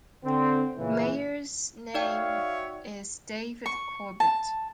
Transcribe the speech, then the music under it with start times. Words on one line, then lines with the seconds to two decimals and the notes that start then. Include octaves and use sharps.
Mayors name is David Corbitt.
0.25 D3 C4
0.77 A#2 C#3 E3
1.94 D#4 F#4 C#5 D5 E5 F5 G5
3.66 C#6
4.20 A5